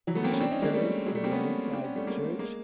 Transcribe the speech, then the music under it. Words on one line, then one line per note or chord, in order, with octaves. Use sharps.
Then she turned and went inside the church.
E3 F#3
A3 B3
A#3 C4
B3 C#4
C4 D4
C#4 D#4
G#3 A#3
G3 A3
F#3 G#3
G3 A3
A#3 C4
B3 C#4
C4 D4
B3 C#4
G3 A3
G#3 A#3
G#3 A#3